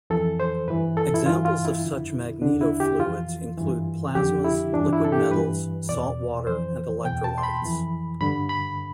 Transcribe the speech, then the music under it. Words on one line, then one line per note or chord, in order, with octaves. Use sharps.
Examples of such magnetofluids include plasmas, liquid metals, salt water and electrolytes.
F2 E3 A4
C5
G2 E3 B4
A4
E4
G2 E3 F4
F4
E4
F2 D3
E2 D3 D4
E4
G4
F2 E3 F4
G2 E3
F2 D3 G4
E4
G2 E3 D4
E4
A4
G4
G2 E3 B4
E2 B2 D5
F2 E3 C5
E2 B2 G5
A5
C6
B5
F2 E3
G2 D3 B5
B5